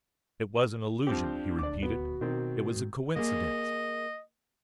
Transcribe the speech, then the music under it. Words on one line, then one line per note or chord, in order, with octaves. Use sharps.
It was an illusion, he repeated; it was a coincidence.
F3 C4 D4 G4
D#1 D2 D5 D6
B3 F#4
B2 D#3 C4
G#2
A#3 G#4 D#5